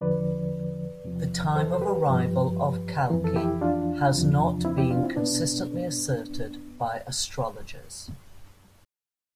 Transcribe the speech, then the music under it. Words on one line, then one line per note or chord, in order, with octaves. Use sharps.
The time of arrival of Kalki has not been consistently asserted by astrologers.
E2 D3 F3 B4 D5
E2 C3 F3
A4 C5
C5
G4 B4
G2 F3
F2 E3
A4
E4 G4
D4 F4
E2 C3 F3
C4 E4
E4 G4
D4 F4
C4 E4
B2 B3 D4